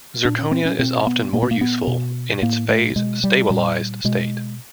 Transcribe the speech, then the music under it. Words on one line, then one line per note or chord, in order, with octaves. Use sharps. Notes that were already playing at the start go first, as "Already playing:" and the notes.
Zirconia is often more useful in its phase 'stabilized' state.
A#2 D4
C#4
C4
C#4
B2 C4
B3
A#2 A#3
B3
A#3
B3
B2
A2 A#3
A3
B2 G#3
G3
A#2 G3
B2 G#3